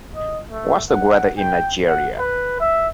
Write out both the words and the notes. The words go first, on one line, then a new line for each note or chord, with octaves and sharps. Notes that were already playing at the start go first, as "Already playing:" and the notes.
What's the weather in Nigeria?
D#5
A3
F#5
G5
F#5
B4
E5